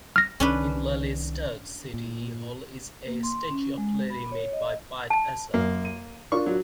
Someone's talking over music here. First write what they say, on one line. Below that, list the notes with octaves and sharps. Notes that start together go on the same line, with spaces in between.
In Lelystad's city hall is a statue of Lely made by Piet Esser.
F6 A#6
C2 D#3 C#4 D4 B4
A#2
A#3
C6
C#4
G#3
B5
C#5
D#5
A5
F#2 A#3
D#7
D4 F4 A#4 C#6
F#3